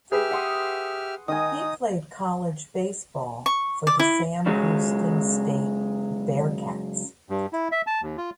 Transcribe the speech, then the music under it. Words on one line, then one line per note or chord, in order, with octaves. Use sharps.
He played college baseball for the Sam Houston State Bearkats.
G4 G#4 B4 E5 F6
F#5 C6 D#6
D#3 D#4 D#5 G#5 D#6
C#6
D5
E4
F#2 C#3 F#3 G#3
G2
E4
E5
A5
D#2
F4